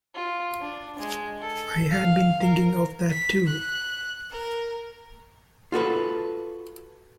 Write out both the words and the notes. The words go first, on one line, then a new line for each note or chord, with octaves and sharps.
I had been thinking of that too.
F4
D4
G#3
A4
F5
A#4
B6
F#6
A#4
F4 F#4 A4 B4